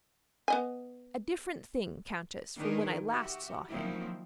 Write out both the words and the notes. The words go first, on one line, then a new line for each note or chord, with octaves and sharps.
A different thing, Countess, from when I last saw him.
B3 D#5 G#5
D#3 D4 G#4 A#4 B4
F#4 G4 E5
D#3 F3 F#3 A#3 C4 E4